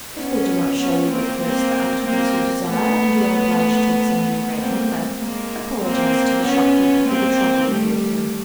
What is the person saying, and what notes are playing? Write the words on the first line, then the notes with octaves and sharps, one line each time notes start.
If they do not show you at first the articles you desire, and you are obliged to examine a great number, apologize to the shopkeeper for the trouble you give him.
B3 C#4
B3 C#4
A#3 C4
A#3 C4
A#3 C4
A3 B3
A#3 C4
G#3 A#3
A#3 C4
B3 C#4
A#3 C4
G3 A3